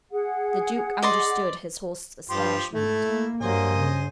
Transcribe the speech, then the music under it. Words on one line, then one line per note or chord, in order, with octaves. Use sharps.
The duke understood his host's astonishment.
G#4 F#5
D5 D#5 C6
G2 F3 G4 C6
G#2 A3 E4
A#3
G2 F#3 A#3 C5 D#5 G#5
C#3